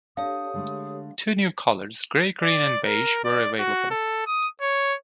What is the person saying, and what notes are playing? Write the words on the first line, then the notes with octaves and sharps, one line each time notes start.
Two new colours, grey-green and beige, were available.
D4 G4 A4 C#5 F5 D#6
D3 G#3 A3
D5
A#4
D5
F#4
A4
D#6
C#5